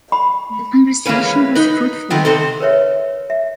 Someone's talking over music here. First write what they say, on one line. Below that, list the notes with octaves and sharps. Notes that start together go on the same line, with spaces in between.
The conversation was fruitful.
B5
E3 G#3 A#3 C#4 B4
D#4 B4
D#3 A3 B3 C4
C3 C4 D#4 A4
A#4 B4 C#5 E5
E5